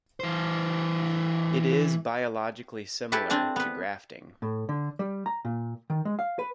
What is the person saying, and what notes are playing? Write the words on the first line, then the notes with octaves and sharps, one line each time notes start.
It is biologically similar to grafting.
E3 C5
E4 G4 A4 B4 G#5 A5
C4 D4 G#5 A5
B3 B4
A2
D3
G3
A#5
A#2
D#3
G#3
F5
B4